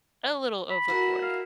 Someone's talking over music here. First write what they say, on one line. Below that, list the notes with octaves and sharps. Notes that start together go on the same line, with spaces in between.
a little overboard
B5
E4 F#4 A#4
F5